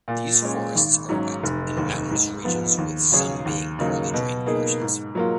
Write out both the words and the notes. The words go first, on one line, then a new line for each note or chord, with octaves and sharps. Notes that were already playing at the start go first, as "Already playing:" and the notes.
These forests are wet and mountainous regions with some being poorly drained portions.
A#2
G#3 C#4
G#1
G#2 F#3 C#4
F1
D#2 D#3
G#2
F3 B3
D#2
C#3 F#3 C#4 G#4
D#2
C#3 F#3 A#3 D#4
B2
A#3 D#4 G#4
G#2
F#3 A#3 F4